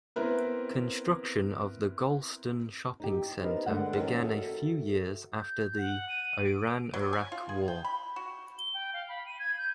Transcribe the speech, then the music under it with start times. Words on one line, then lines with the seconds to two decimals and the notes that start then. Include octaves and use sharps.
Construction of the Golestan Shopping Center began a few years after the Iran-Iraq War.
0.16 B3 C4 E4 A#4 B4
3.00 D#4 G4
3.43 B3 D4 D#4 A#4 C5
3.66 D3 G#3 A3 B4 F#5
3.96 D#3 F3 C#4
4.22 E4 F#4 A4 E5
5.41 G6
5.78 F#5
6.09 D#7
6.44 D7
6.94 F#3
7.13 G#5
7.32 F4
7.49 G#4
7.68 G5
7.84 B5
8.16 F#4
8.59 G7
8.74 G5
8.93 F5
9.09 B5
9.26 D#7
9.39 G#6
9.58 G6